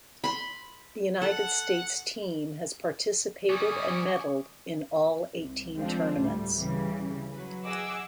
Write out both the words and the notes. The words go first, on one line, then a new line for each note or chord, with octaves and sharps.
The United States team has participated and medaled in all eighteen tournaments.
B5 C6
A4 F#5
G3 B3 D5 G#5 C#6 D#6
C2
F3 G#3 C4 D4 F4
D2 A2 G3
C#3 E3 G3
F#3 B4
G#4 D#5 F#5 D6 E6